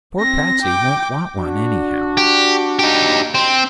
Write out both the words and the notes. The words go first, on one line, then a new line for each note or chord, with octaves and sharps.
Poor Patsey won't want one, anyhow.'
C4 A#6
G5 D6
D4 F#4
G4
D#4 G4
C4